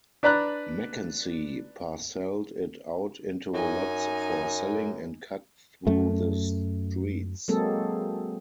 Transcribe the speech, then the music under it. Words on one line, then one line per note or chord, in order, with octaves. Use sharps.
Mackenzie parcelled it out into lots for selling and cut through the streets.
D4 B4 D5 A#5 B5 F#6
F#2 D#4 G#5
F#2 A3
F#3 G#3 A#3 C4 G#4 A4